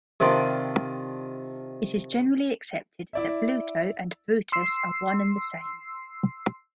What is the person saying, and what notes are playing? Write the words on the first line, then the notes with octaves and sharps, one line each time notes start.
It is generally accepted that Bluto and Brutus are one and the same.
C3 D#3 D4 F4
E4 D5 E5
C6 E6 C7